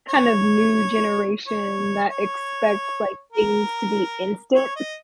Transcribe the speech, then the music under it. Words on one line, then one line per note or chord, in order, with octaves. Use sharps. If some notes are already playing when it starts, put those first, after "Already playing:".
kind of new generation that expects, like, things to be instant.
C#5
C#5
C#5
A#4
C#5
D#5